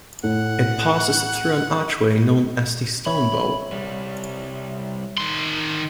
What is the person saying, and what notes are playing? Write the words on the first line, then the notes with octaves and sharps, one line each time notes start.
It passes through an archway known as the Stonebow.
A2 F#5
C#5 E5 B5
C2 G3
D#3 C6